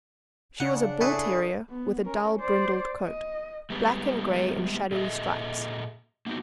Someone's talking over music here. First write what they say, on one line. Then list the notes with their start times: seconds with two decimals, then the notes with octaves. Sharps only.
She was a bull-terrier with a dull brindled coat--black and grey in shadowy stripes.
0.60 C#3 D4 F#5
1.01 A2 G#4 A4 B4
1.70 B3
2.05 C#4 A#4
2.40 C5 D5
3.04 D#5
3.70 G3 G#3 B3
4.91 A#2 G#4 A4 D#5 E5
6.26 A#3 B3 D#4 F#4